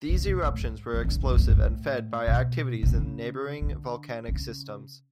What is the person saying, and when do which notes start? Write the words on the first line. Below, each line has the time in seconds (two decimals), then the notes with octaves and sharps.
These eruptions were explosive and fed by activities in the neighboring volcanic systems.
0.09 C#3
0.25 B2
0.43 A2
0.60 G#2
0.94 E3
1.05 D3
1.16 C#3
1.26 B2
1.33 G#2
1.37 A2
1.49 G#2
1.60 A2
2.27 B2
2.83 B2
2.95 C#3
3.62 D3
4.28 C#3